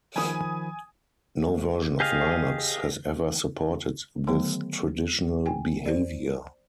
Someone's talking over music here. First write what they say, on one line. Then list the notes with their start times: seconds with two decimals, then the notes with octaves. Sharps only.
No version of Linux has ever supported this traditional behavior.
0.16 D#3 F3 G#5 B5 D#6
2.00 G4 G#4 D#5 F5
4.27 D3 D#3 F#3 A3 B3
5.46 G5 G#5
5.86 C5 D5